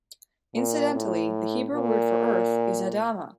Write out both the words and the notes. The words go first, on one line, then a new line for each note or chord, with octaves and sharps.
Incidentally, the Hebrew word for Earth is Adama.
A#2
A2
A#2